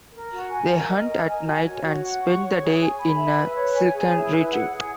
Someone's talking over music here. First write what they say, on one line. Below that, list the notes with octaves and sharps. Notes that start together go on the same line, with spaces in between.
They hunt at night and spend the day in a silken retreat.
A#4
F#4
G#5
A#4
D#5
A#4
G#5
F#4
C#5
F#4
F#5
C#6
C#5
G#4
G#5
B5
E5
B4
C#5
G#5
G#4
E4
B4
F#5
G#4